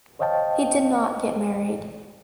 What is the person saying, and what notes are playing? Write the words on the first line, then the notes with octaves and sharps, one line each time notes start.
He did not get married.
C5 C#5 D#5 F5 G5 A5